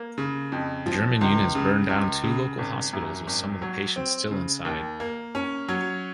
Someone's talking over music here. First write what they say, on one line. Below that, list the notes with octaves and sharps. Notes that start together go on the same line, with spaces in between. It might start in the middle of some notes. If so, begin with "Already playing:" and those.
German units burned down two local hospitals with some of the patients still inside.
Already playing: A#3
C#3
F2
F3
C#2
C#3
C#2
C#3
G#1
F#2
G#1
F#3
C4
C#3
D#2
A#3
C#4
F#3